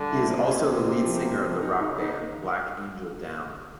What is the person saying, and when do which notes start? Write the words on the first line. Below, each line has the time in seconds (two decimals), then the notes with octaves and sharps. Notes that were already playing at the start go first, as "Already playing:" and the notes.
He is also the lead singer of the Rock band Black Angel Down.
Already playing: D3 G3
0.11 E4
0.29 C3 A#3
0.49 C#4
0.68 C#4
0.86 A#3
1.05 F3
1.24 A#3
1.43 F3
1.62 D#4
1.81 C#3 D#4
2.01 D#4